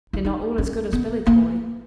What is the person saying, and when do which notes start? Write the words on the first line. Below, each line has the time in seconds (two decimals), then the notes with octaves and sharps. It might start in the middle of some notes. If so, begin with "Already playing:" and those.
They're not all as good as Billy the Boy.
0.13 E4
0.24 D#4
0.58 C#4
0.93 B3
1.26 A#3